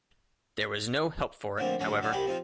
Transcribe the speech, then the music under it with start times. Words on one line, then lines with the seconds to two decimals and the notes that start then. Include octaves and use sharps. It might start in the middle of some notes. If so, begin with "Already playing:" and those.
There was no help for it, however.
1.58 A2 D3 F3 A#3 C4
1.79 A1 D2 F#3 C#4 F#4
2.01 F#3 D4 D#4
2.12 C2 D#3 G3 G#3 G5 B5
2.26 F3 C4 D#4 F4